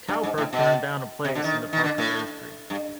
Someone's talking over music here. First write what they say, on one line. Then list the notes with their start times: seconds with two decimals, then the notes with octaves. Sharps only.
Cowper turned down a place in the Parker ministry.
0.08 G2
0.23 G#2
0.38 A2
0.53 B2
1.25 C3
1.35 D3
1.44 D#3
1.73 D#3
1.84 D3
1.98 A2
2.70 G2